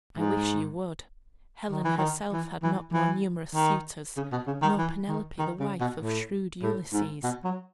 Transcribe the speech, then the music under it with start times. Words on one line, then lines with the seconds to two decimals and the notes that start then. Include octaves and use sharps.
I wish you would. Helen herself had not more numerous suitors, nor Penelope, the wife of shrewd Ulysses.
0.17 G#2
1.70 D#3
1.84 E3
1.98 D#3
2.32 E3
2.63 E3
2.93 E3
3.54 D#3
4.17 C#3
4.32 B2
4.47 C#3
4.62 D#3
4.78 E3
5.08 D#3
5.39 D#3
5.60 C#3
5.80 B2
6.00 A2
6.62 A2
6.93 G#2
7.23 B2
7.44 F#3